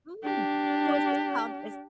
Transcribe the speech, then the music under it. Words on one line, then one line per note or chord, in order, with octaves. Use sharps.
Mm! So is this com is
D4 G4